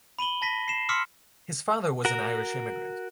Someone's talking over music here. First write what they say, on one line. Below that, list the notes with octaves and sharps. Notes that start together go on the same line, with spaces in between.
His father was an Irish immigrant.
B5 D#7 F#7 G7
A5 A#6 B6
C7 E7
C6 D6 E6 F6 B6 C#7
F#4 A#4